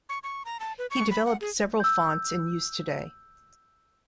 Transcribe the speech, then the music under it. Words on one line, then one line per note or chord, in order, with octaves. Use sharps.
He developed several fonts in use today.
C#6
C#6
A#5
A5
B4
C#6
B5
F#5
G#4
E6 G6